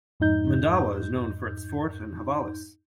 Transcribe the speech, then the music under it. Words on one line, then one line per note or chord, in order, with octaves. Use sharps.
Mandawa is known for its fort and havelis.
F2 G#2 D#4 G6